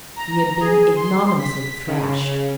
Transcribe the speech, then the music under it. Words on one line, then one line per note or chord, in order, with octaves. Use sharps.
He had been ignominiously thrashed!
A#5
G#4
C6
B6
C#3